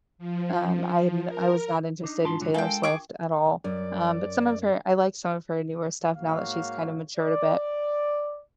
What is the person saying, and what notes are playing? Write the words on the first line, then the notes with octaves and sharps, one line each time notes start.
um, I had n I was not interested in Taylor Swift at all, um, but some of her I like some of her newer stuff now that she's kind of matured a bit.
F3
A#4
D4 D#4
G#2 D4 F4 A5 C6
G#2 D3 F#3
G#3 A4 A#4 F5 G5 G#5
G#4 G5 C#6 D6
F#2 D5
G#2 A#3 F#4 C#5 F5
D5